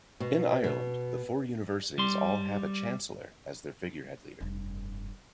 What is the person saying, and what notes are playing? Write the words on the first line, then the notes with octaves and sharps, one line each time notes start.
In Ireland, the four universities all have a chancellor as their figurehead leader.
B2
B2
G3 C6
F1 G2